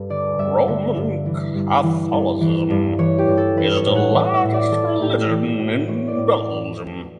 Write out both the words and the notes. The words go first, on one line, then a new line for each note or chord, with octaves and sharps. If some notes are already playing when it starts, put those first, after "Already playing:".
Roman Catholicism, is the largest religion in Belgium.
Already playing: G2 A4 B4
D3 D5
G2 E5
D3 E5
G2
E3
G2
E3
G2
E3
G2
E3 C#5
G4
G2
A4
E3 B4
C#5
A2
F#5
E3 E5
E5
A2
D5
E3 A4
A2 G4
E3 G4
A2 F#4
E3 C#5
D5
A2
D5